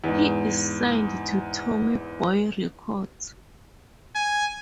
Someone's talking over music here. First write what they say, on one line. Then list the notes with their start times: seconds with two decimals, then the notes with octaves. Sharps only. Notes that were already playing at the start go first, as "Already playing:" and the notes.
He is signed to Tommy Boy Records.
0.04 E2 G#2
4.15 G#5